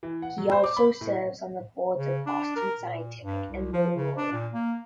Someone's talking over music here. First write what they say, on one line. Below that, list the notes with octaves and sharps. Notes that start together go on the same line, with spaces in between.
He also serves on the boards of Boston Scientific and Motorola.
E3
F#5
F#3
C5
D6
B5
A2
C#3
D4
A#4
A#2
G2
C2
F3
C#3
D4
A#2
A#3